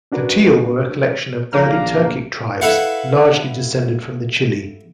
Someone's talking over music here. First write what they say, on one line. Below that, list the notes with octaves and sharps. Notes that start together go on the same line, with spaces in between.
The Tiele were a collection of early Turkic tribes, largely descended from the Chile.
C#4 D4 F#4 A#4 B4
A#1 A#3 D4 A#5
E4 A4 B4 F5 F#5